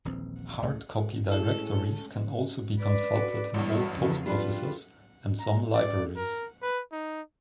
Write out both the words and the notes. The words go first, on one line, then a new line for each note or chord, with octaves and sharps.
Hard-copy directories can also be consulted in all post offices, and some libraries.
D#1 A#1 E3 C4
C#2 A2 C#3 E3
A2 G#3 C#4 E4 G#4 A4
B4 D5
F#4
A1 E2 G2 G3
F2 C#3
G3 D4 F4 B4
A#5
D5
A#4
B4
D#4